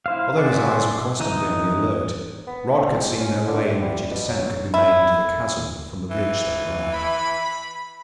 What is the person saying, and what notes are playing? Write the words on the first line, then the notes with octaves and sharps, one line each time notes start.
Although his eyes were constantly on the alert, Rod could see no way in which a descent could be made into the chasm from the ridge they were on.
E4 C5 F5
G#4 C5 D5 E5 F#5
E3 D#4 D#5
B3
C4
G#2
C#4
D3
C3
G3
B2
F#3
E4
E3
B5